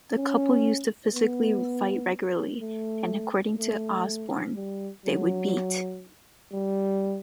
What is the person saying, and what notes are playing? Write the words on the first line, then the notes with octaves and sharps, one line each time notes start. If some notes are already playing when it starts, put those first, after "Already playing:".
The couple used to physically fight regularly and, according to Osbourne, they would beat.
C#4
B3
A3
A3
G3
F#3
G3